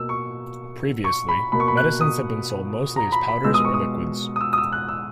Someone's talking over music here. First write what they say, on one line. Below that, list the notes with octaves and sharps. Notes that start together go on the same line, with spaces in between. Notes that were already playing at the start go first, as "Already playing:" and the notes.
Previously, medicines had been sold mostly as powders or liquids.
Already playing: B2 A#3 E6
C#6
C#6
B5
B2 A#3 B5
C#6
B5
F#6
D#6
A#5
B5
B5
B2 G#3 B3 E6
D#6
C#6
D#6
D#6
E6
D#6
E6
F#6
E6